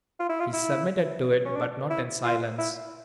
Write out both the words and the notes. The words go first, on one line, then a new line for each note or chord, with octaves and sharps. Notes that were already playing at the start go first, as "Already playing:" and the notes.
He submitted to it, but not in silence.
F4
E4
F4
E4
C#4
D4
E4
F4
E4